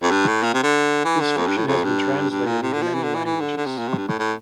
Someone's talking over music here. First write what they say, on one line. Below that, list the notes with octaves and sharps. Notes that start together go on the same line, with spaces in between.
His fiction has been translated into many languages.
F2
G2
A2
A#2
C3
D3
E3
D3
F2
G2
A2
F2
G2
G2
A#2
C3
D3
F3
E3
D3
E3
E3
D3
D3
C3
A#2
C3
G2
A2
A2